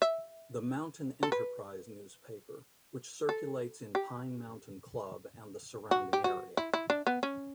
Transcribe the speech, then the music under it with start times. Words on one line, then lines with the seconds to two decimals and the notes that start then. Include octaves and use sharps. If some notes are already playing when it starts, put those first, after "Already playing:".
The "Mountain Enterprise" newspaper, which circulates in Pine Mountain Club and the surrounding area.
0.02 E5
1.23 A4
1.32 B4
3.29 A4
3.95 G4
5.91 F#4
6.13 G4
6.24 F#4
6.57 E4
6.74 E4
6.90 D4
7.07 B3
7.23 C#4